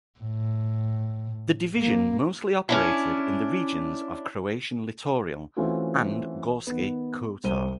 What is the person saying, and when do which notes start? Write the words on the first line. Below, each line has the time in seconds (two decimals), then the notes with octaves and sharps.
The division mostly operated in the regions of Croatian Littoral and Gorski Kotar.
0.20 A2
1.78 A#3
2.69 C#4 D4 E4
5.56 E3 A3 C4 C#4 F4 F#4
6.67 D#3 B3
7.44 C2 C5 D#7 G7